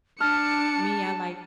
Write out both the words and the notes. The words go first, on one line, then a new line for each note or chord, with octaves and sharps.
Me, I like
D4 A5 F6 C#7